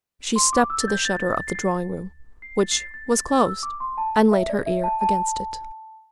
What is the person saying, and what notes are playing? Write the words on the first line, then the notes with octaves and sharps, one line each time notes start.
She stepped to the shutter of the drawing-room, which was closed, and laid her ear against it.
C6
D6
E6
A6
G6
A6
A6
A6
C7
A6
C7
A6
C7
A6
A6
A6
A6
E6
D6
C6
A5
E5
D5
E5
A5
A5